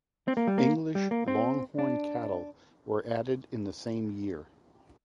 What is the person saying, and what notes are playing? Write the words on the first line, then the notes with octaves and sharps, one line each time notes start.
English Long Horn Cattle were added in the same year.
C4
A#3
G3
A#3
G3
A#3
C4
D4